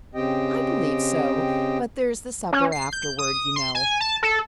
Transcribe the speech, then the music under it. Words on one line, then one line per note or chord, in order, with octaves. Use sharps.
"I believe so; but there is the supper, afterward, you know."
C#3 C4 G4 D#5 G5
C#4
C7
G6
D#6
C6
G#5
A5
A4